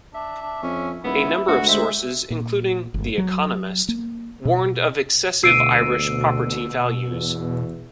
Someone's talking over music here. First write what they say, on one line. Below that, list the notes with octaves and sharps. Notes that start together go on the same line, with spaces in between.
A number of sources, including "The Economist," warned of excessive Irish property values.
D4 E5
D4
F2 C#4
D#1 B3 E4
D2 G#3 F#4
C5 E5
A#2
G1
F#3
A#3
B2
D2 B2 E6 C7 D7 D#7
E2